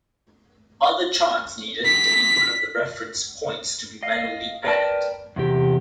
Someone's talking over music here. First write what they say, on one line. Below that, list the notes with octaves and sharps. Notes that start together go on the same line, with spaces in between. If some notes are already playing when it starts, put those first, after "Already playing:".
Other charts needed the input of the reference points to be manually added.
B6
D#5 F5
A#4 B4 D5 F5 G5 A5
E2 C3 G4